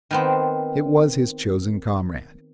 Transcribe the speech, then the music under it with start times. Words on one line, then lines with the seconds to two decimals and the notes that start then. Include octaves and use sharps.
It was his chosen comrade.
0.11 D#3 B3 C4